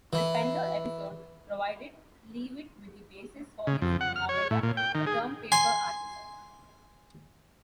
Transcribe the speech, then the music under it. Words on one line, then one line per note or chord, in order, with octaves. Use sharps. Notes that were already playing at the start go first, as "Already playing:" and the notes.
The Spender episode provided Leavitt with the basis for his novella "The Term-Paper Artist".
E3
C#3
F2
F#5
F6
C#5
A2
A#2
G5
D#3
G#4
G#5 C6